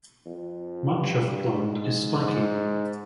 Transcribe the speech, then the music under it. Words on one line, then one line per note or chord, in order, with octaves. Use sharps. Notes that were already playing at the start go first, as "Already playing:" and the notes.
Much of the plant is spiky.
F2
G2
G#2
G#2